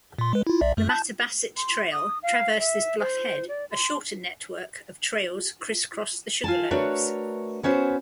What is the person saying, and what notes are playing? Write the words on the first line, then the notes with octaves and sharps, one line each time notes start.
The Mattabesett Trail traverses Bluff Head; a shorter network of trails criss-cross the Sugarloaves.
A#2 C6
G#3 B4
E4 F4
B1 D5 E5
F#2 A3
A5 G6
C6
D#6
F5
E5
C5
D5
C6
F4 G#5 A5
A3 D4 F#4 A#4 B4 C#5
B3 C#4 F#4 C5